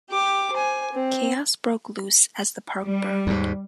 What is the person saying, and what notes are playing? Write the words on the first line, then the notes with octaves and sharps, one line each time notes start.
Chaos broke loose as the park burned.
G4 D6
C5 G#5
C4
G3
D#2 G#2